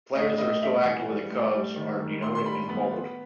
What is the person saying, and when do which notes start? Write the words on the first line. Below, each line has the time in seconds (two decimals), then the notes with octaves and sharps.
Players that are still active with the Cubs are denoted in bold.
0.15 A2 D#5
0.38 A2 D#5
0.61 G3 E5
0.84 E3 F#5
1.08 G3
1.30 A2
1.54 G3
1.76 D#3
1.99 D#3
2.22 A2 C6
2.35 C6
2.45 G3 B5
2.69 B3 B5
2.92 B3